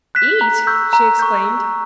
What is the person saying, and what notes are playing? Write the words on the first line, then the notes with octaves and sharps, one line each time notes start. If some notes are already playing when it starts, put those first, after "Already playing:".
"Eat!" she exclaimed.
F#6 B6 E7
A#5
C#6 E6 G6
A#5
C#6 E6 G6
E6